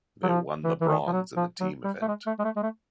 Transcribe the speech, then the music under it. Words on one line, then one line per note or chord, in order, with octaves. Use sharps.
They won the bronze in the team event.
F#3
F3
E3
E3
D#3
F3
F#3
F3
F#3
G3
A3
G#3
A3
G#3
A3
G#3
A3